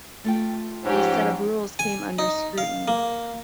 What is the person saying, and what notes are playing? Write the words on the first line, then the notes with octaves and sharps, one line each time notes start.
These sets of rules came under scrutiny.
A3 F4 G5
G#2 F3 C#4 G4
G#5
D#4
F5
A#3